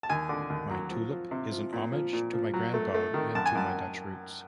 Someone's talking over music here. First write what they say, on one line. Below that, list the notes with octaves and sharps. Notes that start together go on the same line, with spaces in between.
My tulip is an homage to my Grandpa and to my Dutch roots.
A5
D#2 G#5
D3
D#2
F#3
F3
F3
C3
F3
A#2
F3
A#2
F3
F#3
A3
A3
D#3
F#2 A5
G#5
F#2 A5